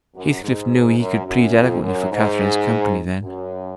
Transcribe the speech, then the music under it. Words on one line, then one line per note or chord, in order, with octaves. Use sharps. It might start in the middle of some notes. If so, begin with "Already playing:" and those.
Heathcliff knew he could plead eloquently for Catherine's company, then.
F#2
G#2
F#2
F#2
F2
F#2
G#2
F#2